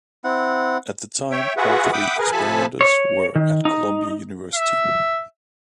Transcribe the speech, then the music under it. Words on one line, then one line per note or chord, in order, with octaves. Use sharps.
At the time, all three experimenters were at Columbia University.
C4 E4 F#5
C#5 E5 G5
F4 F#4 G#4 B4 E5 F#5
E5 F#5 G5 B5 D6 D#6
G#4 A#4 B4
C3 F3 A4 G#5 A5 B5
C#5
D#3
D#4
E5